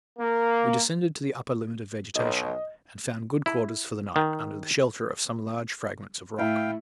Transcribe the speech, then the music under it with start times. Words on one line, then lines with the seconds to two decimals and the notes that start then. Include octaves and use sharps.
We descended to the upper limit of vegetation, and found good quarters for the night under the shelter of some large fragments of rock.
0.19 A#3
2.16 B1 D#5
3.46 E4
4.16 D#3
6.39 A2 E4 F5 G5